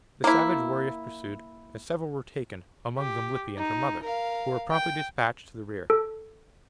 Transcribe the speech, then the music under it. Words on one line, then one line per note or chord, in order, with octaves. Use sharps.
The savage warriors pursued, and several were taken, among them Lippy and her mother, who were promptly despatched to the rear.
A#3 E4
G4
D#4
A#4 F5
G5
A4